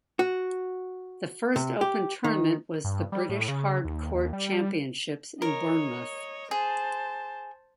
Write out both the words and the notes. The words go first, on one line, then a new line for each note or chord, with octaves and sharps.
The first open tournament was the British Hard Court Championships in Bournemouth.
F#4
C3
G4
D#3
G2
G3
A2
C#3
D#2
D#2
G3
A#4 C#5 D#5
G#4 C5 A5